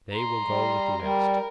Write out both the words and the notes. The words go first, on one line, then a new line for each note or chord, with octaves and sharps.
They will go with the rest.
A#5 C6
G3
G3 A#4